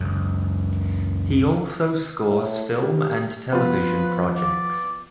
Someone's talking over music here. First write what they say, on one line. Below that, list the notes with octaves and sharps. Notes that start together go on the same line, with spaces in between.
He also scores film and television projects.
C#2 F#2
A2
G4
F3 B3 F4 B4
D5